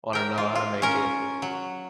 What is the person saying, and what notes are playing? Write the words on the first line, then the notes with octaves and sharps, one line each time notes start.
I wanna know how to make it.
A#4 G5
F4
F4
C#4 A#4
F#3